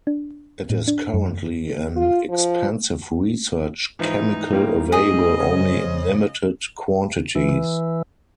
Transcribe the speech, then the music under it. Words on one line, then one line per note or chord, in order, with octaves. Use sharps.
It is currently an expensive research chemical available only in limited quantities.
D4
A2
D4
F#2
F4
F3
G#2 E3 F3 D#4
G#2 G3 A#3 E4
A3 F4 G#4 D#5
C#3 G#3 C5 C#5
E3